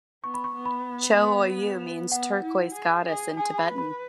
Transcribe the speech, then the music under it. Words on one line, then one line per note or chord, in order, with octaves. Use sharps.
Cho Oyu means "Turquoise Goddess" in Tibetan.
B3 C#6
B5
C#6
B3
B5
B3 F#5
E4
G#4
G#4
G#4 G#5
B5
B4
B5